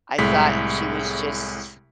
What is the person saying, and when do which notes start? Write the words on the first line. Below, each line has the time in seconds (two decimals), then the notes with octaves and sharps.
I thought she was just
0.18 C2 A2 G#3 B6